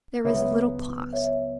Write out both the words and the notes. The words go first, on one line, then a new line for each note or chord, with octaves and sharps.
There was a little pause.
C#2 C#3 F#3 B3 C#5 E5
C#5 E5